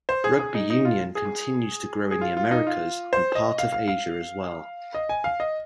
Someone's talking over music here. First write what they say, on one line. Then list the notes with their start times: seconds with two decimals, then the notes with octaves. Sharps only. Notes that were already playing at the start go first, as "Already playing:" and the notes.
Rugby union continues to grow in the Americas and parts of Asia as well.
0.09 C5
0.24 G#4
0.39 G#4
0.55 D#4
0.70 D#4
0.85 F4
1.15 G#4
2.11 G#4
2.21 F4
2.37 F4
2.51 D#4
2.67 F4
3.13 C5
3.35 D#5
3.58 F5
3.73 F5
3.88 F5
4.94 D#5
5.09 G#5
5.24 F5
5.40 D#5